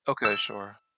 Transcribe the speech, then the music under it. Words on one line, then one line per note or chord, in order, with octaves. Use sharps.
Okay, sure.
E6